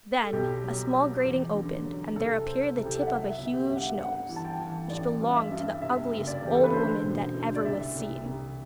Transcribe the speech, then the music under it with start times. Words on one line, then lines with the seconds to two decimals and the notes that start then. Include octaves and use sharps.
Then a small grating opened, and there appeared the tip of a huge nose, which belonged to the ugliest old woman that ever was seen.
0.22 A4
0.32 B1 G4
0.63 F#3
0.94 F#3
1.25 E2
1.55 D3
1.86 F#3
2.16 C2 A4
2.46 C2 C5
2.77 C2 A4
2.85 G4
2.95 A4
3.02 F#5
3.07 F#3 E5
3.31 E5
3.38 G1
3.53 G4
3.69 G2 E5
3.76 F#5
3.98 G3 F#5
4.29 E3
4.36 A5
4.45 G5
4.59 E3
4.90 A1 D5
5.21 G2
5.36 E5
5.52 G2
5.82 C3 E5
6.13 F#1
6.27 D5
6.43 E2 G4
6.55 A4
6.64 B4
6.73 D3 C5
7.04 E1
7.35 D3
7.55 D5
7.65 C2 E5
7.95 C2
8.26 C2